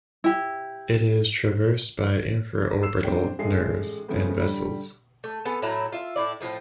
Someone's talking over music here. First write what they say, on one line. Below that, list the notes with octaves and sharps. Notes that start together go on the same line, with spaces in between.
It is traversed by infraorbital nerves and vessels.
E4 G4
E6 C7 E7
C4 D4 G5
A1 G#3 A4 C7
C#3 F3 G#3 A3 B3 C4
D3 G3
A3
B3 A4 G#5
A2 F#3 E4 A#5
F4 E5
A2 E4 D5
A2 D3 F3 A3